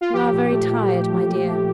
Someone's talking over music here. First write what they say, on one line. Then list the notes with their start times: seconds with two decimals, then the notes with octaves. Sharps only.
You are very tired, my dear.'
0.01 F4
0.13 F3 G4
0.32 A#2
0.52 A3
0.70 A#2
0.90 A#2
1.09 F3
1.27 A#2
1.46 A3